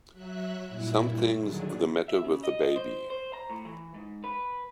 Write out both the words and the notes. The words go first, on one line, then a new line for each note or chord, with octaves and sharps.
Something's the matter with the baby!
F#3 E5 F#6
G2 A#2 E4
D3 D#3 F#3 D4 G#4
E5
C#3
D#5
C5
C5
A#5
A2
E3
G#2
B4